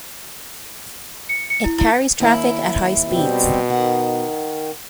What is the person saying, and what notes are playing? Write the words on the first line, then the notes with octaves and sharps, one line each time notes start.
It carries traffic at high speeds.
C#7
C#7
E4
E4
D#2 E4
B2 G3 C4
D#3 F#5